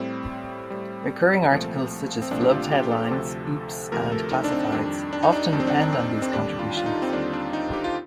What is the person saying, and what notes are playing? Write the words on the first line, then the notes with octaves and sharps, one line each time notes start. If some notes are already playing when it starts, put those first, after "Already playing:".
Recurring articles such as "Flubbed Headlines", "Oops", and "Classifieds" often depend on these contributions.
Already playing: A2 G3 C4
A2 G3
C2 A#2 F3 A3
C4
C2 A#2 F3 A3 D4
G4
F4
G4
A4
D2 C3 F3 A3
D2 C3 F3 A3 A#4
A4
D#4
D4
C4
F2 D#3 G3 D4
D4
D#4
D4
F2 D#3 G3 D4
C4
D4
D4
C4
C4
D#2 D3 G3 D4
F4
F4
D#4
C4
D#2 D3 G3 D4
D4
D#4
G4
F4